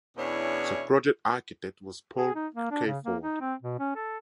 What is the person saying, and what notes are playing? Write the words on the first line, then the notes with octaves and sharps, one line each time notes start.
The project architect was Paul Cayford.
E2 B2 C#4 D4 E4 C#5
G#4
D#4
A#3
D4
C#3
A#3
D#4
C4
B2
C#4
A4